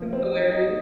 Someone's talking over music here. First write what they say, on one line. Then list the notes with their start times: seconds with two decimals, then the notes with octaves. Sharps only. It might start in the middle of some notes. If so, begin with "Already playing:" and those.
That's hilarious.
Already playing: F3
0.13 C4
0.32 D#4
0.51 D#4